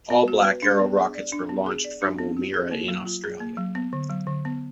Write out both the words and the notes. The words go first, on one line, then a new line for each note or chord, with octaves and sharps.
All Black Arrow rockets were launched from Woomera in Australia.
B3
F#4
B4
D4
B3
G#4
D5
D4
B3
G#4
D5
D4
B3
F4
G#4
A#3
F#3
F4
G#4
A#3
F#3
B3
D3
F#3
D3
B3